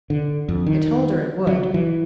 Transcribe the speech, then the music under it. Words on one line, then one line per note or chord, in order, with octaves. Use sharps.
"I told her it would."
D3
F2
D#3
F#3
E3